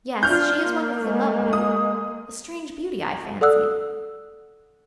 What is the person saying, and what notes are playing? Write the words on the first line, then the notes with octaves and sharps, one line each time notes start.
Yes, she is wonderfully lovely--a strange beauty, I fancied.
D4 F4 F6 G6
A#3
G#3
D#6
A4 D5 F#5 D#6 E6 F#6